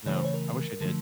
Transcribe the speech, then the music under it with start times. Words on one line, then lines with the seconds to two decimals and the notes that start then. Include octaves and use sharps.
No. I wish I did.
0.06 C#3 E3 A3 C#5
0.16 C5
0.25 C#5
0.34 A#4
0.81 D3 F3 A3